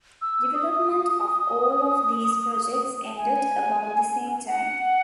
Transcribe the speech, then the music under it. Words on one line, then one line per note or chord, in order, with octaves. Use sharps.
Development of all of these projects ended about the same time.
E6
D#6
G#5
F#5